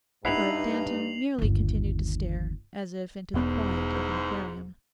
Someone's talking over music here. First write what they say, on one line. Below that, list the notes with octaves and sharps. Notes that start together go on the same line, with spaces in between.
But Danton merely continued to stare, as if into the quiet of an aquarium.
G2 D#4 E4 E5 F#5 C7 F7 F#7
G1 D#2
E1 E2 G#2 B3